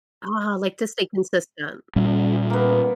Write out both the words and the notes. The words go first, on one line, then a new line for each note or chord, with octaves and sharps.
Ah, like, to stay consistent.
A#2 G3 C#4
A#3 B3